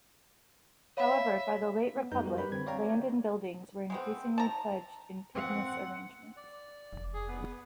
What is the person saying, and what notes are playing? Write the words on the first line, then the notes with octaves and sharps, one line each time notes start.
However, by the late Republic, land and buildings were increasingly pledged in pignus arrangements.
C#5 E5 F5 B5
B3
F#2 G3 D#4 B4 A#5 G6
F#4 G4 A#4
G3 B4 B5
D3 C4 G#6
C#5 D5 F5 G5 A#5
G#3 B3 C4
A5 A#5
C4 F#5
D5
F1
G#4
B3